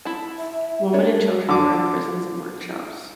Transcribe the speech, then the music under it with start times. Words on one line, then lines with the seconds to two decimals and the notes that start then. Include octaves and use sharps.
Women and children were in prisons and workshops.
0.05 E4 A5
0.38 E5
0.93 C#4 D4 A#4 C#5
1.49 D3 D6